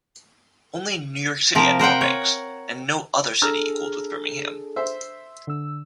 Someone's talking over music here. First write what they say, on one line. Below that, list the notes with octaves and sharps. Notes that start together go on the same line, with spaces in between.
Only New York City had more banks and no other city equaled with Birmingham.
C3 F3 A#4
A#4 C5 F#5 G5
C#5
D4 G#4 A4 A#5 E6 F6
C5 E5
D3 E6